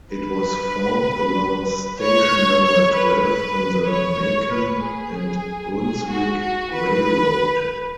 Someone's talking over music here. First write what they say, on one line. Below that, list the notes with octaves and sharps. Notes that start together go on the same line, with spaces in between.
It was formed around station number twelve on the Macon and Brunswick Railroad.
B4
C#5
C#5
B4
B4
C#5
B4
G#4
G#4
F#4
F#4
B4